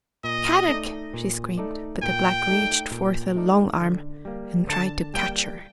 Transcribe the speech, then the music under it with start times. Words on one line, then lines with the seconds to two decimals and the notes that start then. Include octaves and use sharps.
"Kadok!" she screamed, but the Black reached forth a long arm and tried to catch her.
0.24 A#2 D#5
0.69 A3 D#4 A4 D5
1.14 A#2
1.58 A3 D#4 A4 D5
2.03 A#2 G5
2.47 A3 D#4 A4 D5
2.91 A#2
3.36 A3 D#4 A4 D5
3.81 D3
4.25 G3 A#3
4.69 D3 A5
5.14 G3 A#3 G5